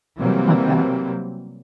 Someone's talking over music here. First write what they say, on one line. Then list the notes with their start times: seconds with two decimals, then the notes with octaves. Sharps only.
Love that.
0.19 C3 E3 F#3 G3 A#3 C4